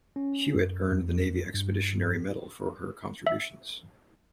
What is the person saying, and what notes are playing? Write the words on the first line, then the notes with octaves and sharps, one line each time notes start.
"Hewitt" earned the Navy Expeditionary Medal for her contributions.
C#4
F#2
F2
G2
E5